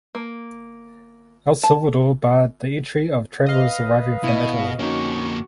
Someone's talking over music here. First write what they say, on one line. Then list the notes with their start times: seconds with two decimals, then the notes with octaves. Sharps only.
El Salvador barred the entry of travellers arriving from Italy.
0.15 A#3
1.63 A5
3.46 B4 D#5 F5
4.24 B2 E4 D#7
4.79 F2 A#3 C#4 D#4 F#4 C#6